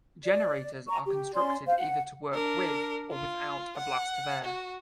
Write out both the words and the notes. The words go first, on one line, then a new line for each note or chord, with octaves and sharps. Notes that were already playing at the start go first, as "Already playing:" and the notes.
Generators are constructed either to work with or without a blast of air.
D5
A#5 C#6
G4
C#4 D5 C6
C5 F5
F#5
D4 A#4
F4
F#5
F#4